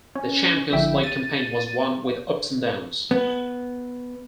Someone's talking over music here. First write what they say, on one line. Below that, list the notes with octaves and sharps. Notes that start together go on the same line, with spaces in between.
The Champions League campaign was one with ups and downs.
C#4
A#1 D3 E4 E5 G5
A6 D#7
B3